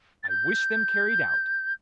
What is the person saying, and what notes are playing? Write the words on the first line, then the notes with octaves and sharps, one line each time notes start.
I wish them carried out.
A6
G6